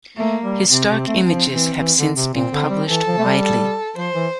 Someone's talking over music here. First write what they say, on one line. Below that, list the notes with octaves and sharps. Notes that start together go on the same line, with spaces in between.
His stock images have since been published widely.
A3 A#3
G3
C3 C4
C3
A3
F3
E3
E3
D3
C3
A#2 C4
D3
G3
E3 A4
F3
A3
G3
A4
F3 C5
E3